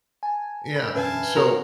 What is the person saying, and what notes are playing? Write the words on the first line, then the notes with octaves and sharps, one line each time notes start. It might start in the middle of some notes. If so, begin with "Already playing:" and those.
Yeah, so
G#5 A5
A#4 B5 G6 D7
E1 F#2 B4 E5 F5 G#5 A5
A#3 B3 C#4 F#4 A#4